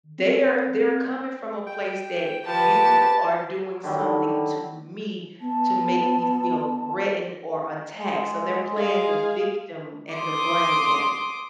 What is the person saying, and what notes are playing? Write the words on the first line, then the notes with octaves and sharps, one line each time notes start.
They are they're coming from a place that "you are doing something to me to make me feel threatened or attacked," so they're playing the victim and the blame game.
C4
G5
F3 G4 B4 A5
D3 D#3 F#3 G3
B3 A5
G#3
G#4 F5
C6 D6 D#6